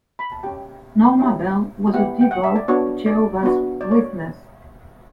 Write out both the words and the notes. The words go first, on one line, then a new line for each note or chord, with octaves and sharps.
Norma Belle was a devout Jehovah's Witness.
B5
A5
C#4 G4 G5
C#4 E4 G4 G5
B3 E4 G4 F#5
G5
F#5
E5
D5
B3 D4 F#4 C#5
D5
B3 D4 F#4
D5
C#5